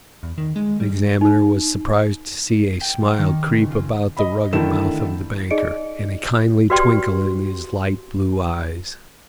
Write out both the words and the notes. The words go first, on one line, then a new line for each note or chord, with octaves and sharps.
The examiner was surprised to see a smile creep about the rugged mouth of the banker, and a kindly twinkle in his light-blue eyes.
E2
D#3
G#3
G3
D#4
G5
G3
D#3
C#2
F4
D#5 B5
D3 D#3 A3 E4 E7
D#4 G#4 D5 D#5 C#7 D7
F#4 G4 B4 D5 G5 C6